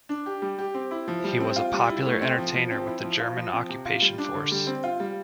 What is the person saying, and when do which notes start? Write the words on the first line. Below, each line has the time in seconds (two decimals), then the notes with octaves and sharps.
He was a popular entertainer with the German occupation force.
0.09 D4
0.26 G4
0.42 G3
0.58 G4
0.74 C4
0.91 E4
1.08 F3
1.24 G3
1.40 C4
1.56 F4
1.73 G3
1.90 E4
2.06 A3
2.22 C4
2.38 F3
2.55 F3
2.71 C4
2.87 E4
3.04 F3
3.20 F4
3.36 F3
3.53 C4
3.69 C3
3.86 F4
4.02 G3
4.18 D4
4.34 D3
4.51 G3
4.67 C4
4.84 F4
5.00 G3